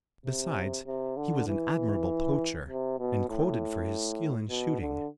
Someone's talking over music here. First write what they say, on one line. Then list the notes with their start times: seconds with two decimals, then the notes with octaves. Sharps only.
Besides, he was an admirable poacher, and quoted for his skill in shooting.
0.26 C3
0.87 C3
1.17 D3
1.48 E3
2.68 C3
2.99 B2
3.29 A2
4.50 B2
4.80 D3